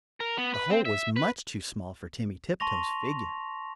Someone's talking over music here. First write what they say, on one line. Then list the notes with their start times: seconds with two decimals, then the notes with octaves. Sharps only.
The hole was much too small for Timmy Tiptoes' figure.
0.20 A#4
0.38 B3
0.54 B4
0.70 C4
0.85 E5
1.16 B4
2.60 A5 C6 C#6 A#6 F7